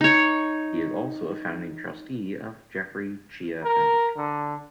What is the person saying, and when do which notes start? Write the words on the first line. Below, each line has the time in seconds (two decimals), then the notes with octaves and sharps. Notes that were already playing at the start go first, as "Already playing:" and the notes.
He is also a Founding Trustee of the Jeffrey Cheah Foundation.
0.01 D#4 C#5
3.64 A#4
4.17 D3